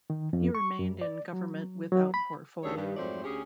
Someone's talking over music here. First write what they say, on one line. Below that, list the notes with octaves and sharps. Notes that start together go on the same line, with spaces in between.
He remained in government without portfolio.
D#3
F2
C#6
F#2
D5
F#3
F#3
B5
D2 C#3 G3 G#4 A4 C#5
G2
F2 G#2 F#3 A3 C5 D5
D2 C#4 G4 G#4